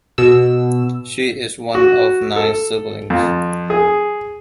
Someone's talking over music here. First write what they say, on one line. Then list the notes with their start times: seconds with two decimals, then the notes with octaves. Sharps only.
She is one of nine siblings.
0.18 B2 E6
1.75 F#4
2.36 A4
3.10 F2
3.70 G#4